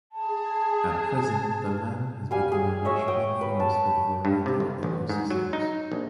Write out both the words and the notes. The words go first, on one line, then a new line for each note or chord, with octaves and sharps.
At present, the land has become a lush pine forest with a variety of ecosystems.
G#4 A5
G3 F5 G#5
G#4
G#4 C#5 D#5 E5
G5 D#6
B4
A5
G2
C3
G1
A1
G#2
F#3
D#4
A#1